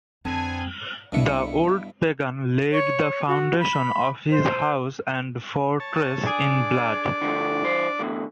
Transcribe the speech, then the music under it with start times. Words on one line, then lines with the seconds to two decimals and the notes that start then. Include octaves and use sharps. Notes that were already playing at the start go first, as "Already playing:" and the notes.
The old pagan laid the foundation of his house and fortress in blood.
0.25 F2 D3 B3 C4 D4 G#4 G#5 A5
1.12 C2 G2 B2 D4 E4 C#7
2.72 C#5
3.28 F#4
3.59 B5
4.30 C5
5.80 C#5 A5
6.27 D4 G#4 D5
7.21 D3 F3 A3
7.64 E3 C5
7.99 E2 A2 D3